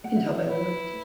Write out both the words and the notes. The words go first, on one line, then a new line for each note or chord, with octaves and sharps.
I can tell by your loyalty.
F#5
E5
D5
C#5
E4 B4